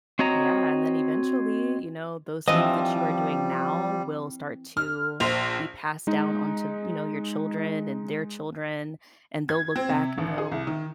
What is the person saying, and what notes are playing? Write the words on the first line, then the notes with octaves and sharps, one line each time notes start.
Yeah, and then eventually, you know, those things that you are doing now will start to be passed down onto, you know, your children and their children, and they'll look back and go,
C4 F#4 C#5 D#5 A#5
E3 F3 G3 C4 D#5
F6
A#1 C5 F7
G#3 D#4
G#6
C4
C3
A1
G#4
C2
D#3